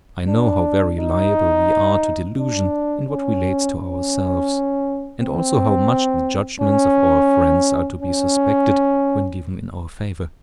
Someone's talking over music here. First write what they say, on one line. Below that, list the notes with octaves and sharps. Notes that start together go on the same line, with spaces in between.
I know how very liable we are to delusion in what relates to ourselves, and also how much the judgments of our friends are to be suspected when given in our favor.
D4
D#4
D4
C#4
C#4
C4
C#4
C#4